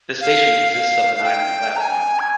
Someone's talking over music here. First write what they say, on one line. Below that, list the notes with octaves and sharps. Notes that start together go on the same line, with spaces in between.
This station consists of an island platform.
F5
F5
F5
G5
A#5
G#5
G#6